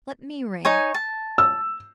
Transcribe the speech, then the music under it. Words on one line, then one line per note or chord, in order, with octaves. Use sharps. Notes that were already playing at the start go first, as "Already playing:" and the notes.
Let me ring.'
D#4 C#5 G#5
A5
E6